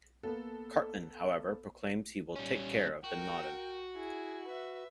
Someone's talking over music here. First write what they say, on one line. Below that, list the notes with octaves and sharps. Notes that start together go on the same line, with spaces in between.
Cartman, however, proclaims he will "take care" of Bin Laden.
A#3 B3 A4
G3 C#4
F#4 A#4 G5
E4 G#4
B4 E5